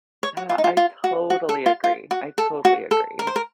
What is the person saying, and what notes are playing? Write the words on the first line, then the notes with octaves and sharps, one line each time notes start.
Yeah, I totally agree, I totally agree.
C#5
F#4
F4
D#4
F4
F4
F#4
F#4
A4
F4
F4
F#4
A4
F#4
A4
A#4
C5
A#4